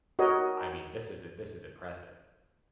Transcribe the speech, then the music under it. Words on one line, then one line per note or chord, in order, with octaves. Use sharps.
I mean, this is i this is impressive.
F#4 A#4 C#5 D#5